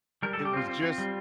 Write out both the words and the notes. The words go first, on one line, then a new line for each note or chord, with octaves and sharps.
it was just
G3 A#4
G3 A4
G4
C4 F4
C4
C4
G3